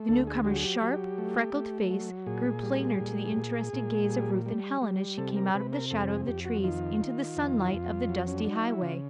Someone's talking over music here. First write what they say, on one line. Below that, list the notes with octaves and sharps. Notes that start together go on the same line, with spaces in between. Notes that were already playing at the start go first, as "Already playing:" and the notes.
The newcomer's sharp, freckled face grew plainer to the interested gaze of Ruth and Helen as she came out of the shadow of the trees into the sunlight of the dusty highway.
Already playing: A3
D2 A4
G#4
F#3 G4
G#4
G4
F#3
A3
A3
F#3
A#2 G#4
G3
A#2
A#2
A#2
G3
G3
G3
C3 A4
A#4
C3 B4
A#4
F2 A4
G#4
F2 G4
F#4
D#3 F4
D#3
F2
F2
F#3
C#4
F#3 D4
D#4
E4
C#3 F4